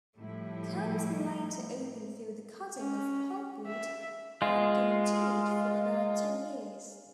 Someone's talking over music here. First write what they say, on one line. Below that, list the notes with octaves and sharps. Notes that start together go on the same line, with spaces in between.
Camps later opened for the cutting of pulpwood and continued for about ten years.
A2 F3 G3 A3 E4
C#4
E5
G#3 F4